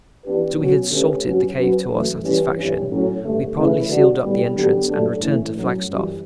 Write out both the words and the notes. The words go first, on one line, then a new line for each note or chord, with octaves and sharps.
"After we had 'salted' the cave to our satisfaction, we partly sealed up the entrance and returned to Flagstaff."
E3 B3 D4 G4 B4
B2 F#3 C#4 F#4
D3 A3 C#4 G4 B4
G2 F#3 C#4 F#4
F#3 C#4 F#4 B4
F#2 E3 A3
E3 G3 C#4 G4 B4
G2 E3 G3 C#4
A2 F#3 C#4
G2 D3 A3
C#3 E3 A3 E4 B4
D3 G3 D4 F#4
A2 G3 B3
D3 F#3 B3 D4 G4
G2 F#3 A3 D4 A4
A2 E3 A3 C#4 E4
A2 F#3 C#4
F#2 E3 G3